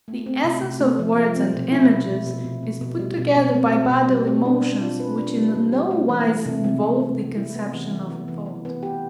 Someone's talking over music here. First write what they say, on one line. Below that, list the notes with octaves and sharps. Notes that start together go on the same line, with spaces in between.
The essence of words and images is put together by bodily motions, which in no wise involve the conception of thought.
A3
C4
C3
C3
A3
F3
F3
C4
B2
E4
B2
B2
B2
B2
B2
B2
G3
B2
B2
C4
C4
B2
G3
C4
D4
D4
F4
B4
D4
G3
G3
G3
A3
E3
A3
C3
C3
C3
C3
A3
E4
B3
E3
E3
B3
E3
E3
B3
G4